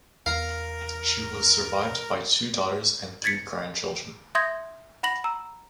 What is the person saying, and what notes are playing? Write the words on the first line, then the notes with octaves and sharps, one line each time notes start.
She was survived by two daughters and three grandchildren.
E2 A#4 F5 A#5
G#6 A6 B6 C#7
E5 C6 D#6 G6 G#6 A#6
F#5 B5 A#6 F#7
A#5 E6